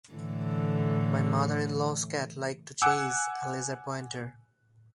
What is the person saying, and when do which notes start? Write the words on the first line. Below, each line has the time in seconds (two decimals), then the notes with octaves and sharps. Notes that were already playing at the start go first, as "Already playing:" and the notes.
My mother-in-law's cat like to chase a laser pointer.
0.13 A2 D3 E3
2.82 F#5 G#5 D6 E6 F#6